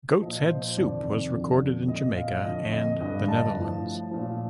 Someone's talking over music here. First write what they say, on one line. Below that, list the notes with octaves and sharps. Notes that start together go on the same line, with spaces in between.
"Goats Head Soup" was recorded in Jamaica and the Netherlands.
A#2 F3 D#5
C5
F2 C3 D#3 D5
F2 D3 F3
A#2 F3 D#5
F5
F2 D3 F3 D#5
D#5
G2 D3 F3 D#5
A5
A2 F3
A#2 F3